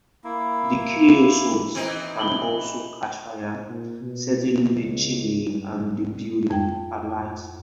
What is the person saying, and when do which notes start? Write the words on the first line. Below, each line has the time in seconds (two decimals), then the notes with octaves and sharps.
The creosote can also catch fire, setting the chimney and the building alight.
0.24 A#3 E4
1.75 E3 C4 D#4
2.17 B5 F#7 G7
3.70 A#2
4.01 B2
4.81 C#2
5.46 G2
6.50 F2 G5